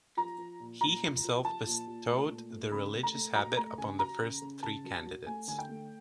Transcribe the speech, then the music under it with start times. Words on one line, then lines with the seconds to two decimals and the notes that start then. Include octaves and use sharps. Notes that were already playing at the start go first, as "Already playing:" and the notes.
He himself bestowed the religious habit upon the first three candidates.
0.17 F3 A#5
0.38 F3
0.60 A#2
0.80 A#2 A#5
1.03 F3
1.24 F3
1.45 F3 A5
1.66 A#2
1.87 A#2
2.08 A3
2.29 A#2
2.50 A3
2.71 C#3 B5
2.93 A3
3.03 A#5
3.14 A3
3.35 F#3 A#5
3.56 A3 A#5
3.78 C#3 G#5
3.99 F#3 A#5
4.20 C#3
4.42 C#3
4.63 C#3 A5
4.84 F#3
5.06 F#3
5.26 A3 G#5
5.48 D3 G#5
5.59 G5
5.69 A3